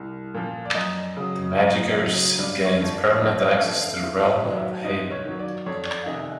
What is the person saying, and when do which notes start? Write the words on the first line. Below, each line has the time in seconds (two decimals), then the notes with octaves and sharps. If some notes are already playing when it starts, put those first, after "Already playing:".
The Magickers have gained permanent access to the realm of Haven.
Already playing: C2
0.34 A#2 F3
0.65 D5
0.75 F#2 D#5
1.17 C#3 F#3
1.57 F#2
1.97 C#3 F#3
2.38 G2 D5
2.66 C#5
2.79 D3 F3
2.93 D5
3.20 G2 D5
3.41 D#5
3.62 D3 F3 E5
3.82 F5
4.02 G#2 E5
4.30 E5
4.43 D#3 F#3
4.57 E5
4.84 G#2 D#5
5.12 C#5
5.26 D#3 F#3
5.39 D5
5.66 F2 C#5
5.86 D5
6.06 C3 D#3 D#5